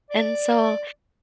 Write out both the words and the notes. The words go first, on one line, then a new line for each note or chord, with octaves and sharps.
And so
D5